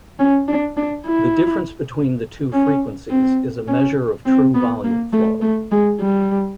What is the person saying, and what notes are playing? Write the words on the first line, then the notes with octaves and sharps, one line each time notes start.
The difference between the two frequencies is a measure of true volume flow.
C#4
D4
D4
E4
C#4
C4
C#4
C4
B3
A#3
A3
A3
G#3
G3